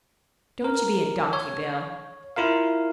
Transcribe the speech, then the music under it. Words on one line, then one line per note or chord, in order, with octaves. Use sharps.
Don't you be a donkey, Bill.
A#4
C#5
E4 F4 A#4 F5